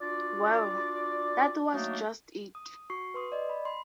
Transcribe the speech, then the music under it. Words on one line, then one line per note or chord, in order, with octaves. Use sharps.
Well, that was just it!
D4 F4 F#4 D5
F#3 A3 A#3 D4 D#4
D#6
F#4 C#6 C7
B4 C6 D#6
D5 D#5
B5
B5 C6